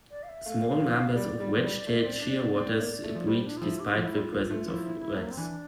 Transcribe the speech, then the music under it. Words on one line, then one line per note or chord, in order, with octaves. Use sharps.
Small numbers of wedge-tailed shearwaters breed despite the presence of rats.
D5
F5
E5
A3 F5
F3
G3 D5
G3
F3
G3
A3
C4
D4
D4
C4
A#3
A3
F3
G3 C5
D4
F4
F3 E4
G4
F3 F4
E4
G3 F4
A#3
A3
F3 E4
A3
A#3
C4
E3 D4